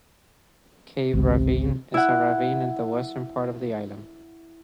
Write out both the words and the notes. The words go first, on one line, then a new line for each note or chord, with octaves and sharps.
Cave Ravine is a ravine in the western part of the island.
G#1 C#2 C3
E4 F#5